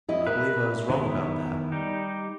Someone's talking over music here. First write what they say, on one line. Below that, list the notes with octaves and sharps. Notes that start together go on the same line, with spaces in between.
I believe I was wrong about that.
F2 E4 D#5
A#4 B4 E5
D#3 B3 E4
G3 D#4 G4